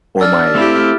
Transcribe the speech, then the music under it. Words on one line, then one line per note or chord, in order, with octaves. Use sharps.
or my
D4 E6 F6 A6
A3 C4 E4 G4 F5